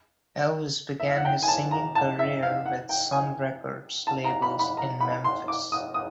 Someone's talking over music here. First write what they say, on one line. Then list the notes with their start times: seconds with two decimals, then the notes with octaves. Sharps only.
Elvis began his singing career with Sun Records label in Memphis.
1.00 E5
1.08 F5
1.17 F#5
1.25 G5
1.43 G#5
1.48 A5
1.71 A#5
1.95 A5
2.19 E5
2.43 F5
2.66 F#5
2.89 G5
3.12 G#5
4.07 A5
4.24 A#5
4.42 B5
4.59 B5
4.77 A#5
5.01 B5
5.24 C6
5.48 D6
5.72 D#6
5.94 D#6